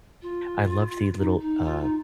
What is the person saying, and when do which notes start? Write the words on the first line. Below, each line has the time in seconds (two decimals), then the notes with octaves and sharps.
I love the little, uh
0.22 F4
1.17 D#4
1.40 D#4
1.65 F4
1.80 D#4